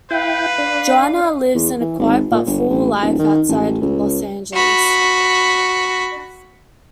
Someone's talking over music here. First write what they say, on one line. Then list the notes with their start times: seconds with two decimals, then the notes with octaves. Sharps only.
Joanna lives a quiet but full life outside Los Angeles.
0.11 E4 B4 F5 G5
0.58 D4
1.55 E2
1.81 E3
1.99 G#1
2.31 A#2
2.47 G1
2.70 A1
3.03 D#1
3.19 D#3
3.49 A1
3.82 C#2
4.54 F#4 B5